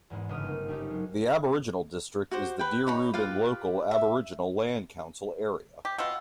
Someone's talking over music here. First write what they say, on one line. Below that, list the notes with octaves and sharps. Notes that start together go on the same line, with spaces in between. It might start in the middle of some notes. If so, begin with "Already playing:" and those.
The Aboriginal district is the Deerubbin Local Aboriginal Land Council Area.
E2 G#2 G#3 B3
G1 C#3 B3 C#4 D#6 F6
A#3 C4 D#4
G3 A3 A#3 C#4 D#4 G4
F#3 G#3
F#4 G4 C5
B4 G5
D#4 C#5 B5
F4 G4 B4 F5
E5
G4
B2 F4 F#5 E6